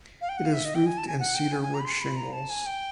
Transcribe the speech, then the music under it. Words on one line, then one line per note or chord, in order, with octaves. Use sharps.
It is roofed in cedar wood shingles.
F5
G5
F#5
F5
E5
D#5
G5
G#5
A5
G#5
F#5
G5
G#5
G#5
A#5
B5
C6
B5
A#5
A5
G#5
G5